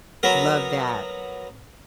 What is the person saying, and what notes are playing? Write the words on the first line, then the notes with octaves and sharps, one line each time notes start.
Love that.
F#3 B3 A#4